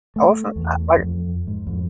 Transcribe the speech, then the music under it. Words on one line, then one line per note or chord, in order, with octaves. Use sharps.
I wasn't uh, like
A3
E2
F2
G#2
F2